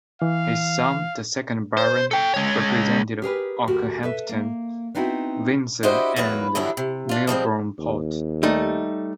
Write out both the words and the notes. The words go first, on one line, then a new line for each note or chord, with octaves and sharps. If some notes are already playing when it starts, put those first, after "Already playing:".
His son, the second Baron, represented Okehampton, Windsor and Milborne Port.
E3 F5
C5
A4 G5
G#3 C#5
G4 G#4 A#4 B4
D2 F#4 G4 A#4
A4 B4 E5
A#3
B3 C4 D#4 E4 F#4
D4 E4 F#4 G4 C5 D#5
E2 F#3 A#3 B4
D3 E3 F#3 G3 B3 E4
C3
D4 F4
F3 G3 G#3 C4
D#2
G3 A3 D#4